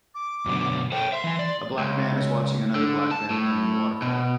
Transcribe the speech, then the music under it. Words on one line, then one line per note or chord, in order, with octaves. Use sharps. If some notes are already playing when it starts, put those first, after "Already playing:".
A black man is watching another black man playing in the waterfall.
D6
F#2 B2 D3
A4 C5 C#5 G5
E5 C6
E3 G#5
D5
C#2
D3
A5
A2
B2